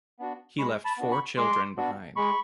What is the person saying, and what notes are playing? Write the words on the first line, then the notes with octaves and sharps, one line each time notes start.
He left four children behind.
B3 D4 F#4
G#3 B5 C#6
A5 B5
B3 D4 F#4
B5 C#6
G#3 C6 D6
B3 D4 F#4
G#3 B5 C#6